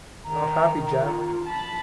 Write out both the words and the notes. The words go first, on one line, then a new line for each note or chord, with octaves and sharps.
Not happy, Jan!
D#3 A#5
F4
A5 B5